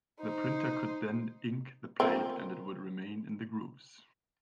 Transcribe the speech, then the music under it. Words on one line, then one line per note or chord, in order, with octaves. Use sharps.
The printer could then ink the plate, and it would remain in the grooves.
D#4 C5
F3 A#3 C4